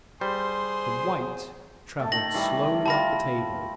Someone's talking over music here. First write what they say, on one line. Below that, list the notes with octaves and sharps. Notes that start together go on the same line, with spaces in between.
The white travelled slowly up the table.
G3 G#4 C5 C6
A3 A5
D#3 A#6 F#7
D#3 E3 G3
F4 G4 A5 B5 A#6